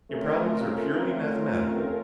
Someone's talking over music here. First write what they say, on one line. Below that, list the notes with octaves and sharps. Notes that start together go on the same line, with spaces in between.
Your problems are purely mathematical.
A3 C4 C#4 F4 A#4